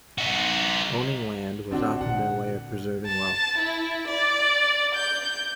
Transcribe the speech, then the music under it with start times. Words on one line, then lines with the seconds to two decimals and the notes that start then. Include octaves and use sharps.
Owning land was often their way of preserving wealth.
0.18 D#4 F#4
1.71 D3 C4 D4 F#4
2.01 A#2 D3 F#5
3.06 A5
3.58 E4
4.08 D5
4.95 G6